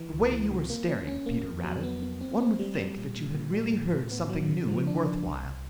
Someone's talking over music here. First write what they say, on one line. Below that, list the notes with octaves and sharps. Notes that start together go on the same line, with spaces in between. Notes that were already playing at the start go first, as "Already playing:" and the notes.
"The way you are staring, Peter Rabbit, one would think that you had really heard something new and worth while."
Already playing: E3
C#2
E3
C3
A#3
C#4
C#4
A#3
F2
F#3
B3
B3
C4
C4
G3
G3
A#2
A#2
A#2
G3
A2
A2
B3
F#3
C#3
F3
D4
D4
C2
C2